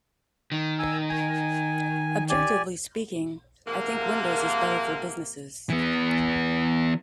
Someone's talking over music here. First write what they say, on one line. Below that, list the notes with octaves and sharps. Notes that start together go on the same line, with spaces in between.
Objectively speaking, I think Windows is better for businesses.
D#3
G#5 E6
G#5
G4 D5 G#5
G#2 C3 F3 A#3
E3 B3